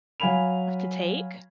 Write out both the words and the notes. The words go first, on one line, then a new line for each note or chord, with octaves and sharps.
to take.
F#3 F5 G#5 B5 F7